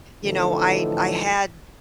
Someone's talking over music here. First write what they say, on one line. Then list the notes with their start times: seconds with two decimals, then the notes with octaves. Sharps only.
you know, I I had
0.24 A2 D3 E3 F3 D#4 A4